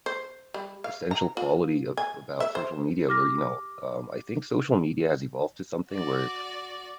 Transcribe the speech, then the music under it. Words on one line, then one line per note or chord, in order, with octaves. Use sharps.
essential quality of about social media where, you know, um I think social media has evolved to something where
C5
G3
F5
A#5
F4
G#5
E5
C5
G4 D6 F6 A#6
F#4 D5